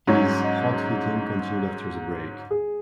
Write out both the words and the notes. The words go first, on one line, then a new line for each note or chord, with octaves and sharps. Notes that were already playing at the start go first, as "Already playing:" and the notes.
His hot hitting continued after the break.
G#2 F#3 C#4 C#5
D#5
G#4